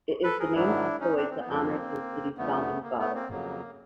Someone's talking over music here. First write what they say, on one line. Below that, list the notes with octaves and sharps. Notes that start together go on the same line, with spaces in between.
It is named Sysoy to honor the city's founding father.
A4 B4
G#4 A#4
G#2 D#3 F#3 D4 E4
C#4 D#4
C4 D4
C4
B3
F2 C#3 F3 A#3 C4
F2 D3 F3 A3 B3
A#3
A3 B3
A#3 C4
F2 C#3 F#3 A#3